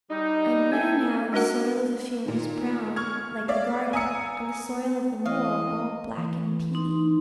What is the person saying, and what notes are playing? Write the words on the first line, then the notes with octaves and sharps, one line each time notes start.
I know now the soil of the field is brown, like the garden; and the soil of the moor all black and peaty.
G3 D#4
A4 E5 G5 G#5
G#3 D4 F#4 A#4 F#5
A#2 D#3
C#6 F6 G#6
D5 E5 F5
G#5 A#5 D#6 E6 C#7
E3 C#5 D#5 F5 D#6
E3
D#4 C6